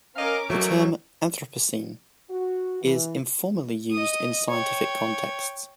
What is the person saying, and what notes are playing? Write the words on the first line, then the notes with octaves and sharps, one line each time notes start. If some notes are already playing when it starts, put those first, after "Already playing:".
The term "anthropocene" is informally used in scientific contexts.
C#4 A#4 D#5 F5 D6
B2 F#3 A3 F#4
F#4
E3
D#5 D#6
C#5 G5